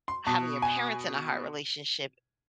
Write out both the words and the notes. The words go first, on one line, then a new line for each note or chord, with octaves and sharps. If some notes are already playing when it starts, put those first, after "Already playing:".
having your parents in a hard relationship,
C6
B2 A5
G#5